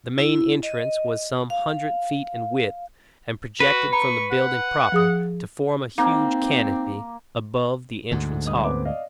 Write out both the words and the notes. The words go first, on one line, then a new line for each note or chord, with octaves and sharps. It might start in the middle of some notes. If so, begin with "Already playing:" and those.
The main entrance was some hundred feet in width and projected from the building proper to form a huge canopy above the entrance hall.
E4
D#5
F5
F#4 B4
A#5 B5 C#6
F#5
F3 G#4 D#6
A#3 C4 D#4
D2 G#2 D3
G2 D#5 D#6
B3 C4 D6
D5 D#5 F5